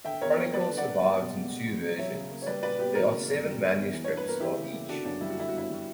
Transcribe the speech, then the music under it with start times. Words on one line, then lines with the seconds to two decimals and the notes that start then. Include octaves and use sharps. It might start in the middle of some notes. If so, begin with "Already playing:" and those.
The chronicle survives in two versions; there are seven manuscripts of each.
0.05 D3 E5 G5
0.21 E2 A#4 C#5
0.37 A#3 A#4 C#5
0.53 G3 B4 D5
0.70 D3
0.77 D5 F#5
0.85 A#3
1.01 G3
1.18 B2
1.34 C#2
1.50 B2
1.67 E2
1.82 F#3
1.98 F#3 C#5 E5
2.15 C#3
2.31 A#3
2.42 C#5
2.46 G3 B4 D5
2.63 A#2 B4 D5
2.79 B3 G4 B4
2.95 E3 F#4 A#4
3.12 C#3
3.28 F#2
3.44 G3
3.59 D3
3.75 E2
3.92 E3
4.04 G2 C#5
4.17 B4
4.24 A#3 A#4
4.40 E3 E4 G4
4.57 C#3
4.73 A#3
4.89 D3 D4 F#4
5.05 F#2 D4 F#4
5.21 G3 E4
5.30 F#4
5.37 D3 E4
5.49 F#4
5.54 G2 E4
5.70 G3